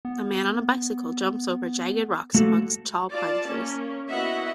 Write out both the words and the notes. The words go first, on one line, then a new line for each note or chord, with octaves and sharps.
A man on a bicycle jumps over jagged rocks amongst tall pine trees.
B3
A3 A#3 F#4 A4
F4 D5 A5
A#3 C#4
B3 E4 F#4 D#5 E5 F#5